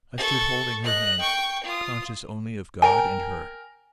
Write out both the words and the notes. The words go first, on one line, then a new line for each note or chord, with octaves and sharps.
I stood holding her hand, conscious only of God and her.
A4 C#6
D#5 F#6
G5 C#6
F4 D#6
A#4 G5 G#5